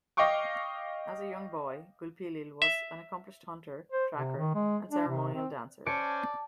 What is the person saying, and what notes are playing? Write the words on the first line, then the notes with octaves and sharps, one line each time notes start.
As a young boy, Gulpilil was an accomplished hunter, tracker and ceremonial dancer.
D#5 F5 G5 C#6 D6
E5
C5
C3
D#3
G#3
D4
C3
C4
C#4 C5 D5 G#5 A5 C#7 D7